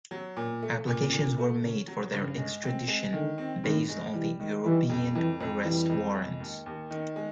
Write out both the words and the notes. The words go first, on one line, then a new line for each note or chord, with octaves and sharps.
Applications were made for their extradition based on the European Arrest Warrants.
F#3
A#2
A3
A#2
A#2 D3
A3
C#3 C#4
F#3
G2 C#3
G#3
C4
G#3
D3 D#3
C4
G2 D#3
G#3
E3 G3
D#3
E3 G3
F2
F2 E3
F2
E3 G3
F2
G#3
D#2
D#2
D#3
G#3